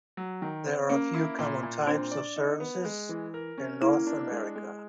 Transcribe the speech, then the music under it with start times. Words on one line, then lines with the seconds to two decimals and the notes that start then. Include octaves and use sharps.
There are a few common types of services in North America.
0.17 F#3
0.42 D#3
0.65 C4
0.90 A#3 C#4
1.14 E4
1.39 A#2
1.63 A#2
1.87 C4 D4
2.11 D5
2.36 D#4
2.60 B3
2.85 G#3
3.09 E3
3.34 A#4
3.58 C#4
3.81 A#3 E4
4.07 D4
4.31 G#3
4.55 G#3